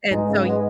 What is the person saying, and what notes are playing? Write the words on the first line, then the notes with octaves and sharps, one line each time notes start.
and so,
G#2 G#3 B3 D#4 G#4
C#3
G#3 B3